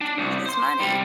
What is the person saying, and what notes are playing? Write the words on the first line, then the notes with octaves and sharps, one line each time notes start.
some of this money
D4
C2
C5 C6
C3 G3